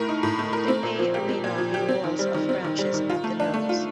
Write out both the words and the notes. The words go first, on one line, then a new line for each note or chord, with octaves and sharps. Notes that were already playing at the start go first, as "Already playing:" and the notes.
There may or may not be whorls of branches at the nodes.
Already playing: A2 A3 A#4
D#4
A2
A3
A#4
C4
A#2
F3
G4
C4
A#2
F3
G4
C4
D#3
G3
D#3
C4
D#3
G3
D#3
F4
A3
D4
A3
F4